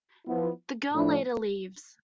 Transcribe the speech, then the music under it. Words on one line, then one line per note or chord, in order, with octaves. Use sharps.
The girl later leaves.
F3 B3 E4
A2 F3 A3 D4